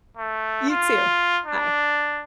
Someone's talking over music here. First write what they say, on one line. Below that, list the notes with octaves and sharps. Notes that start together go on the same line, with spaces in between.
You, too. Bye.
A3
F4
D4